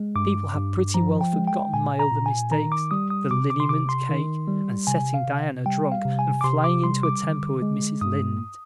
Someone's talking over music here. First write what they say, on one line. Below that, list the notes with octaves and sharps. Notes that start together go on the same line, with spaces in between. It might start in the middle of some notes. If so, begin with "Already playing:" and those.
People have pretty well forgotten my other mistakes--the liniment cake and setting Diana drunk and flying into a temper with Mrs. Lynde.
Already playing: G#3
G2 D6
G2
F3 A#5
G5
G#3
G5
A#2 G#5
A#5
A#2
G#5
D#3 A#5
D6
G3 D#6
D#6
C3 D6
D6
C6
C3 D6
C6
D#3
G3
C3 G#5
F5
C3
G3 G5
F5
C3
G#5
D6
C3 C6
D6
G3 C6
D6
D3
G#3
G2 D#6